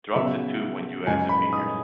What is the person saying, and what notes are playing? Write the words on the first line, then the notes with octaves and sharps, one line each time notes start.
Drop the two when you add the figures.
C#3 F#3 B3 E5
F#2 C#3 G#3 G#5
B5
D#6